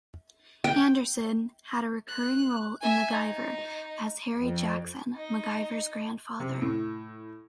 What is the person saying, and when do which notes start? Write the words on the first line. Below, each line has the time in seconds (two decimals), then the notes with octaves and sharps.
Anderson had a recurring role in "MacGyver" as Harry Jackson, MacGyver's grandfather.
0.64 G5
2.09 F#6
2.81 E5 G#5
3.12 D#4
4.37 F2
5.15 D#4 D#5
6.40 C3
6.62 A2